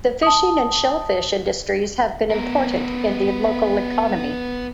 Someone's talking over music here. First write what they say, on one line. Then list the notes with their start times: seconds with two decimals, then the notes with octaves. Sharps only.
The fishing and shellfish industries have been important in the local economy.
0.23 A5 D#6
2.30 B3 A#4